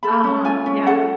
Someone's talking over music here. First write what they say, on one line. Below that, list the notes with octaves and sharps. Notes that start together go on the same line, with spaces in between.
Uh-huh, yeah,
A4 B5
C#4
F4 G#5
C#4
A4 F#5